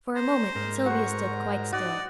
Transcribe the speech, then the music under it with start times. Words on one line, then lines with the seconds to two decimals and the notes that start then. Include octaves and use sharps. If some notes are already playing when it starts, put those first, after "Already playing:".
For a moment Sylvia stood quite still.
0.15 C5 A#5
0.55 G#2 A#4
0.86 F#4 C5 C#6
1.73 D#4 F#4 D5